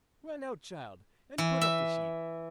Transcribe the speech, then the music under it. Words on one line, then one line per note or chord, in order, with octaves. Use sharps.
Run out, child, and put up the sheep.'
E3
E5